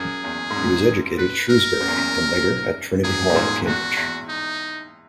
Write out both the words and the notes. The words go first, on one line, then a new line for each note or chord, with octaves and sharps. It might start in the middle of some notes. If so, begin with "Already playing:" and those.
He was educated at Shrewsbury and later at Trinity Hall, Cambridge.
Already playing: F#2 G#4
E2
G#2
F#2
B4
A#4
F#2
E2
F#2
F#2 G#4
A#2
E2 G#2
E2 F#4
E2
D#4